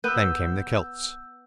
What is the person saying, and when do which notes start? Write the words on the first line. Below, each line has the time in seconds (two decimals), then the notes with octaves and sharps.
Then came the Celts.
0.04 B3 B4 E6 G6